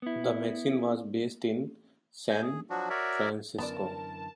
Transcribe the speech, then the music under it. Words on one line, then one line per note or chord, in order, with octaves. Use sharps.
The magazine was based in San Francisco.
B3 E4
G#5 G6
G#4
F3 F#3 D4 F#4
F#4 A#4 C#5 D5 E5
F#2 D3 E3 B3 A#4 D5 A5